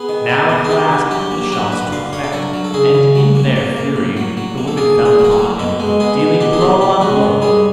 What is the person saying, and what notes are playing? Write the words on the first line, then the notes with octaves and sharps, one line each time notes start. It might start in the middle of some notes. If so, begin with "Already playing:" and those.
Now at last the shots took effect, and in their fury the women fell upon him, dealing blow on blow.
Already playing: B3 G#4
D#3
B3
B3
G#4
D3 G4
D3
F#3 G4
A#3
G4
F#3 F#4
D3 B4
D3 F5
D3 C#5
A4
F#3 A#4
F#3
A4
C#3 G#4
C#3
F#3
A#3
A#3
A#3
A2
F#3
F#3
A#3
A4
A#3 G#4
A2
G#4
F#3
A#4
A4
A#3
B2 A4
G#3
B2 G#4
B2
B2 G4
G#4
B2 G4
B2 G4
G#3 F#4
D#3
G3 G#4